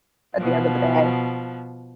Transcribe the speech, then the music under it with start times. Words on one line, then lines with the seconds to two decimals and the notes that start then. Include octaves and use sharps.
at the end of the day,
0.37 B2 F3